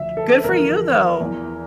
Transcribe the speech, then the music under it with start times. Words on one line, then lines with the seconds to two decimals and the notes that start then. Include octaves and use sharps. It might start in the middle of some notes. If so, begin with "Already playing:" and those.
good for you, though.
Already playing: D2 D3 F3 E5
0.17 A4
0.43 E2 D3 F3 A#4
1.20 E2 E3